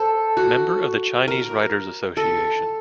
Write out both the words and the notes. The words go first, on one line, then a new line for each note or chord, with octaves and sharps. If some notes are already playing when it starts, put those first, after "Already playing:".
Member of the Chinese Writers Association.
Already playing: A4 C5
F#4
A#4
A4